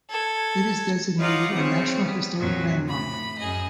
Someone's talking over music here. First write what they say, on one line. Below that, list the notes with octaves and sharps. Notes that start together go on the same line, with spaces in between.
It is designated a National Historic Landmark.
A4 G#6
D#4 F4 C#5 F5 F#5 D6
C#3 B3 C4 C#5
G3 B3
F2 A#2 F#3
A2 B5
F#2 G#4 D#5